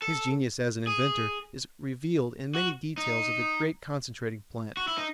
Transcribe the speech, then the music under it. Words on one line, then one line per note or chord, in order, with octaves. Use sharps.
His genius as an inventor is revealed in many details of the great concentrating plant....
A4
G#4
F#4
D#4
F#4
E4
D#4